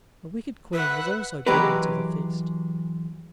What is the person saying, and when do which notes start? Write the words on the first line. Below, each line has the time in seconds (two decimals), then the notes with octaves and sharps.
The wicked Queen was also bidden to the feast.
0.73 B4 E5 F#5
1.47 E3 F#3 G#3 G4 A#4 B4